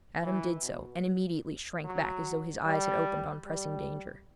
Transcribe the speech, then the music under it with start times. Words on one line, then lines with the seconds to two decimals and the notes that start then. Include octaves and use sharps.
Adam did so, and immediately shrank back as though his eyes had opened on pressing danger.
0.22 E3
0.62 B2
1.85 F#3
2.65 G3
3.46 G3